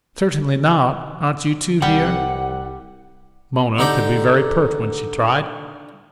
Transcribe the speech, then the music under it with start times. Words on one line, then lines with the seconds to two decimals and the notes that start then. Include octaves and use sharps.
"Certainly not; aren't you two here?" Mona could be very pert when she tried.
1.82 C2 G3 F#5
3.78 D3 D#4 G4